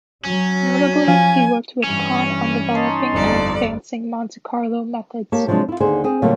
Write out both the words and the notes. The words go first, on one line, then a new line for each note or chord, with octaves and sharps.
Notably, he worked with Kahn on developing and advancing Monte Carlo methods.
F#3 C#4
F3 F5 G#5
G2 E3 C#4
D#4 A5 C6
G1 F2 D5
A#3 G4 C#5 A5
C3 F3 F#3 G#3 D4
E4 F4
D#2 D3 G#4 C5
C4 G#4
A#2 D3 F#3 G3 A3 A#3